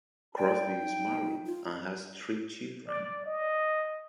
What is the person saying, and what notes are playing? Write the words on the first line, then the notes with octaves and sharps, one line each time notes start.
Crosbie is married and has three children.
D5 G5
D#4
F4
D5
D#5